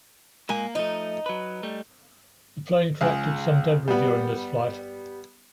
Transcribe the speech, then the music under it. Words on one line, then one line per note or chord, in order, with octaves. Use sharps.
The plane collected some debris during this flight.
A#2 G#3 A#3 G#5
F3 A3 D#4
F#3 B4
G3 A3
C#2 G#4
G3 B3